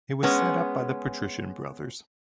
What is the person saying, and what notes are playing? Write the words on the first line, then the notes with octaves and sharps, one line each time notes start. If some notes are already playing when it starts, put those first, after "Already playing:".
It was set up by the Patrician Brothers.
G#3 B3 C#4